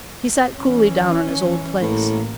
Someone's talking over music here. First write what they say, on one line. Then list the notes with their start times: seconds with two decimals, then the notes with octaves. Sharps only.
He sat coolly down in his old place.
0.57 E3 C#4
1.81 A1 A2 A#3